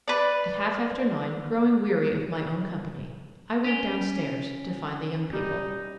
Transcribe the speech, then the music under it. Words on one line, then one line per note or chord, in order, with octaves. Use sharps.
At half after nine, growing weary of my own company, I went downstairs to find the young people.
B4 D5
C#4 B6 D7 G7
G3 D#4